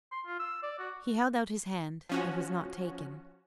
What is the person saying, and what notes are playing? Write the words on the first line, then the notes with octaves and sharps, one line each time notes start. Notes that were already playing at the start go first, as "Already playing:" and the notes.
He held out his hand; it was not taken.
C6
F4
E6
D5
F#4
F3 C#4 F#4